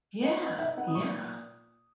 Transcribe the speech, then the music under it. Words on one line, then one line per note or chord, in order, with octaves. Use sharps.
Yeah. Yeah.
B3 D#5
D#4 D#5
D#4 E5
B3 F#5
D#6
A#2 C#6